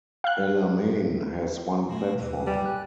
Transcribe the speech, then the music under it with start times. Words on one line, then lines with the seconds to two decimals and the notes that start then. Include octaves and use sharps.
Alamein has one platform.
0.24 F5 F#6
1.89 B2 F3 A3
2.19 D#2 B4
2.47 G3
2.65 G#5 F#6